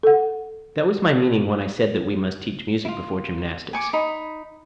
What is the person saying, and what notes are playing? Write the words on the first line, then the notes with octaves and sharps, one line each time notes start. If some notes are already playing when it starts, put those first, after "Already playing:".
That was my meaning when I said that we must teach music before gymnastics.
A4 F#5
E4 F4
G#5 C#6 D6
D#4 B5